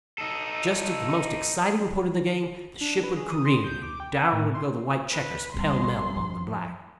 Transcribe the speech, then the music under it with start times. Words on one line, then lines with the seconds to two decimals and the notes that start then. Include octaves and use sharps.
Just at the most exciting point of the game, the ship would careen, and down would go the white checkers pell-mell among the black.
0.18 D#4 A4
2.81 D4
3.03 B4
3.16 G#4
3.31 D#6
3.45 C6
3.64 G6
3.82 D6
4.00 G5
4.14 F#5
4.32 A2
4.54 C6
5.11 B4
5.54 G#1 G3 C6
6.16 F3